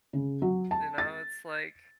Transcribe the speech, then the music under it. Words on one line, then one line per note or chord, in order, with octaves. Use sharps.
you know, it's, like,
C#3
F#3
A5
A6